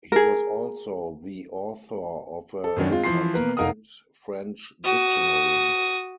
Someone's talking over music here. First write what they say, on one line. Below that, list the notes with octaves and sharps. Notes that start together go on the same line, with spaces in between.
He was also the author of a Sanskrit-French dictionary.
G#4 A#4
A4
F#2 D#3 F#3 D4
G#3 C4 F4
E3 F3 C6 C7
B2 A#3 A#4 B4
F1 D#4 A#4 F5 F#5 D#6
F#4 D#6